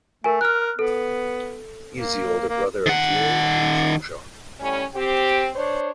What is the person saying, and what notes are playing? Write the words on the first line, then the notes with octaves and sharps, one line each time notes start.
He is the older brother of Gilles and Jean-Jacques.
A3 A#4 G#5
A#4 F6 F#6
B3 A4
A#3
A#3
D#3 F#5
A2 G3 C#4
C4 G4
D4 C5 C#5